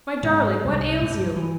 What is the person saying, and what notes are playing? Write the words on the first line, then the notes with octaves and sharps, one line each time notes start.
"My darling, what ails you?"
G#2
C2
G2
E3